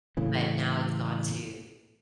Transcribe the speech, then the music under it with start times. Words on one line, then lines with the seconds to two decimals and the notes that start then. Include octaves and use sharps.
but now it's gone to
0.17 A2 C#3 E3